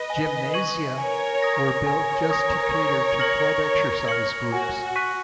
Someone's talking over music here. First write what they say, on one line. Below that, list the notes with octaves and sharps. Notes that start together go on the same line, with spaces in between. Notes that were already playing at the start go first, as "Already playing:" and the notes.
Gymnasia were built just to cater to club exercise groups.
Already playing: B4 D#5
G#5
C#6 G#6 D#7 F#7
A#4 C#5 G#5
D#6 A#6
A#4 C#5 G#5
D#6 A#6
C#6
F6 A#6 C#7 F#7
C#6
F6 A#6 C#7 F#7
F#4 G#5
F#4
C#6 F#6 B6 D#7